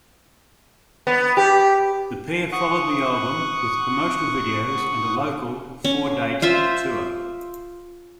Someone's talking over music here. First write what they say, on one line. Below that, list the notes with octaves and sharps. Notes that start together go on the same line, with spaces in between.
The pair followed the album with promotional videos and a local four-date tour.
B3
G4
F#5 C#6 D#6 F#6
C#4
F4 C5 E5